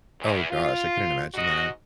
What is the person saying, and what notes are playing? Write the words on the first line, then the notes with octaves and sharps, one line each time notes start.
Oh gosh, I couldn't imagine that.
E2
F4
G#2 F#4 D#5